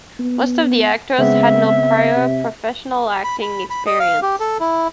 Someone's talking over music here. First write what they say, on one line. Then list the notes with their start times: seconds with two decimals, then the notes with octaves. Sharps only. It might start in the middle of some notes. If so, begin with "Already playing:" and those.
Most of the actors had no prior professional acting experience.
0.19 B3
1.19 C#3 G#3 B3 C4 E5
2.15 C3
3.24 B5
3.42 B5
3.70 B5
3.86 D#5
4.00 F5
4.22 G4
4.40 A4
4.60 E4